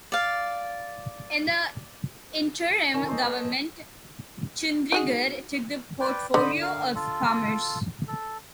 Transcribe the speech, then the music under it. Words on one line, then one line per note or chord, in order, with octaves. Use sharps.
In the Interim Government, Chundrigar took the portfolio of Commerce.
D5 F5
D#3 C#4
A4 C5 D#5
B3
D#4 F#4 G#4
B4 D5 G5
D3 C5 D#5 B5
A#4 F5
F4 A4
A4